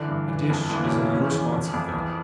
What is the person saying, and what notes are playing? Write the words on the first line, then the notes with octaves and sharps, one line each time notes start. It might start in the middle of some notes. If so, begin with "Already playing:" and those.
A dish is an unresponsive thing.
Already playing: D3 E3 D4
G2
E3
F2
D3 E3 D4
A#3
C#4
A2
A#3
E3 C#4
E2
F2
F2
E2